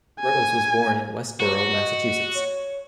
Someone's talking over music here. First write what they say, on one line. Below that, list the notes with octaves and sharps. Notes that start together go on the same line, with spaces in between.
Ruggles was born in Westborough, Massachusetts.
G#5
F#3 F#4
D#5
C#5